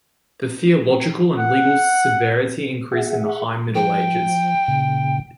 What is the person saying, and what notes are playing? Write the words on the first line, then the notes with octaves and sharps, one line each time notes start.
The theological and legal severity increased in the High Middle Ages.
F#5
G#4 E5 F#5
F3 G5
A#2 C#3